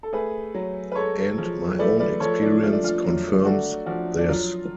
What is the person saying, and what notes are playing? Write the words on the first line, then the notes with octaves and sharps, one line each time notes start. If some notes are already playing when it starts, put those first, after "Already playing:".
And my own experience confirms this.
A4
A3 G#4 B4
F#3
B4
G#3 A4 C#5
F3
A3 B4 D5
B4 D5
F3 A4 C#5
D4
A3 F4
D4
F4
F#3
A3 D4 F#4
F3 D4 F#4
D4
F#3 F4